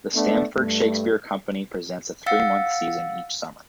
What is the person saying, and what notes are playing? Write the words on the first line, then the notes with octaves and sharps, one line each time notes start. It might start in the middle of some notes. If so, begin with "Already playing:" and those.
The Stamford Shakespeare Company presents a three-month season each summer.
A3 B3 D4
G2 A3
F5 F#5 E6 A6 C#7